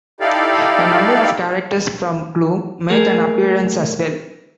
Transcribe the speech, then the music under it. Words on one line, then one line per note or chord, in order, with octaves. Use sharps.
A number of characters from "Glue" make an appearance as well.
D#4 E4 G4 A4 D5 F5
A3 A#3 G#4 A#4